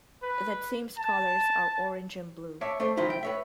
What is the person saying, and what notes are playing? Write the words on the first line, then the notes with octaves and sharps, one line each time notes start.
The team's colors are orange and blue.
B4
A5
C#5 D5 E5 A5
A3 C5 D5
C#2 E3 F3 D#4 E4 C5
G5
B4 C#5 E5